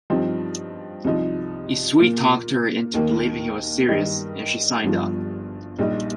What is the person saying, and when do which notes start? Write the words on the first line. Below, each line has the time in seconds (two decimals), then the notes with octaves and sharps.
He sweet-talked her into believing he was serious, and she signed up.
0.10 G2 F3 C4 D#4
1.04 C2 C3 F3 D#4
2.00 A#2 A#3 F4
2.94 D#2 D#3 A#3
3.89 G2 D#3 G3 D#4
4.83 G1 G2 F3
5.79 A#1 A#2 G3 D#4